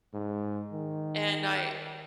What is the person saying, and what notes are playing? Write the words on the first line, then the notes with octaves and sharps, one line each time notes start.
and I
G#2
D#3